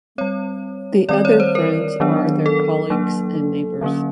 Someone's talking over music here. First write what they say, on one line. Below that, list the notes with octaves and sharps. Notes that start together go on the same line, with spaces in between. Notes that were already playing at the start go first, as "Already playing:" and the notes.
The other friends are their colleagues and neighbours.
G3 C4 C#5
D#3 G3 C4 D5
C#5
C5
A#4
D#3 F#3 B3 D4
A4
F#3 A#3 D4
D3 F#3 A#3 C#4